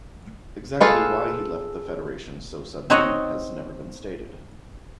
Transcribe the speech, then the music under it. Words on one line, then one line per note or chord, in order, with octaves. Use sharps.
Exactly why he left the federation so suddenly has never been stated.
F4 G#4 A4 B4 F5
C4 D#4 F#4 C#5 D#5 F#5